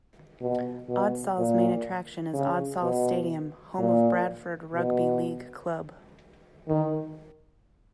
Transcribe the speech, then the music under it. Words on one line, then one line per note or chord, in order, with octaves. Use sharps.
Odsal's main attraction is Odsal Stadium, home of Bradford rugby league club.
B2
B2
A#2
C#3
B2
A#2
B2
D#3